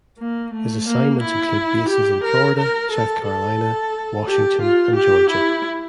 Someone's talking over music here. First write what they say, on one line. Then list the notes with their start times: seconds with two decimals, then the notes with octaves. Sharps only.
His assignments include bases in Florida, South Carolina, Washington and Georgia.
0.20 A#3
0.54 A3
0.88 A#3
1.22 E4
1.89 G4
2.24 A#4
2.58 A#4
2.92 A4
3.26 A4
4.28 G4
4.62 F4
4.96 G4
5.30 E4